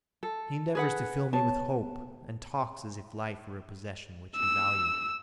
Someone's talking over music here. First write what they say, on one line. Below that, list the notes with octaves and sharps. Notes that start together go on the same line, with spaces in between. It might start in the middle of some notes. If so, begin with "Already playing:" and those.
He endeavours to fill me with hope and talks as if life were a possession which he valued.
A4
G#4 B4 F#5
B3 C#5 A5
E6